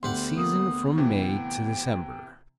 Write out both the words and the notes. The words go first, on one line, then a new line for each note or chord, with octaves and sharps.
In season from May to December.
D2 B3 G4 F#5 C6
A#3 D#6
C3 E3 G5